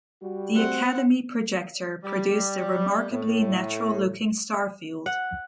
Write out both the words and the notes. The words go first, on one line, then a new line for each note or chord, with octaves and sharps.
The Academy Projector produced a remarkably natural-looking star field.
G3 F#4
C4 F#5
G3
A2
F#5